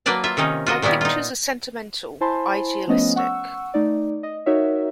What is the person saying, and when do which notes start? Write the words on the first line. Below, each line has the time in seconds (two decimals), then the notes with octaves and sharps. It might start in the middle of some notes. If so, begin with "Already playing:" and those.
My pictures are sentimental, idealistic.
0.06 F#3 A#3 B4 D5 A5
0.24 F4 E5
0.37 C3 D#3 C#4 D#4
0.66 F4 F#4 D#5
0.82 A#2 D#3 G3 B3 E4
1.01 D#4 F4
2.21 E4 C5 G#5 A5 B5 C6
2.87 F3 A3 B3 C#4 D#5
3.16 F#5 C#6 E6
3.74 A3 D#4 D5
4.23 D#5
4.46 D#4 F#4 A#4 C#5 E5